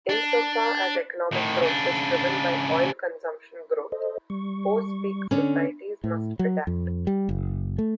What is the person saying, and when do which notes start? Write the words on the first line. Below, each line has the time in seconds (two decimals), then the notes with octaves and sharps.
Insofar as economic growth is driven by oil consumption growth, post-peak societies must adapt.
0.09 D4
1.32 A2 D#3
1.61 C#3 D4
3.92 A4 C5 D#5
4.30 G3 C#6
5.31 D3 C#4
6.04 A2
6.39 F#3
6.67 F2
7.07 G3
7.29 F#1
7.78 A3